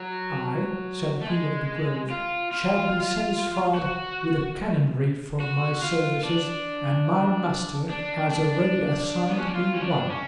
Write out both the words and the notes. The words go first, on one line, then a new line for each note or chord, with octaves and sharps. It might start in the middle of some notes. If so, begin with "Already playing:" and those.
"I," said he of the Grove, "shall be satisfied with a canonry for my services, and my master has already assigned me one."
Already playing: F#3
A3
G#3
F4
F4
F#4
F#4
F4
D4
D4
D4
B3
C#4
D4
F4
C#4
D4
C#4